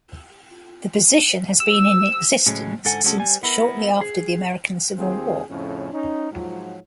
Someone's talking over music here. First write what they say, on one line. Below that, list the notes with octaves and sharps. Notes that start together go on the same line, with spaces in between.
The position has been in existence since shortly after the American Civil War.
E6
A2 C#3 F#3 G#3 C#4
G#2 D3 A4 F#5 G#5
C3 G#3 C#4 F#4 G4 A4
G3 G#5
B3 E4 A#4
G#4
D#2 C4 F4 G4 G#4
F2 A2 C#3 C#4
C#4 D#4
G#2 F3 F#3